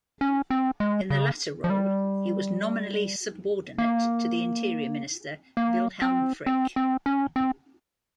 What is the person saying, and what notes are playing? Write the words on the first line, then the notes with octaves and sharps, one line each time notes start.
In the latter role, he was nominally subordinate to the Interior Minister, Wilhelm Frick.
C#4
C4
G#3
C#3
F3
G3
A#3
A#3
C4
C4
C4
C#4
C4